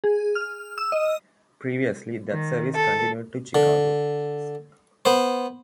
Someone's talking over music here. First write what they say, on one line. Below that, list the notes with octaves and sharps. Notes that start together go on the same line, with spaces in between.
Previously, that service continued to Chicago.
G#4
F6
E6
D#5
D#3
A4
D3
B3 C5